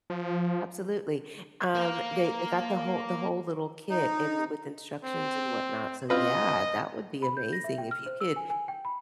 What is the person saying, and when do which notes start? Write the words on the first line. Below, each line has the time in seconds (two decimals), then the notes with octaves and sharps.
Absolutely, um, they they got the whole the whole little kit and with instructions and whatnot. So yeah, that would be amazing if you could
0.10 F3
1.75 A#3 A#4
3.89 D#4
5.04 C4
6.10 C4 F4 B4 D#5
7.22 B5
7.37 G6
7.53 A#6
7.64 E5
7.78 G5
7.91 F6
8.06 C5
8.21 E6
8.36 G#5
8.50 G#5
8.68 G5
8.85 B5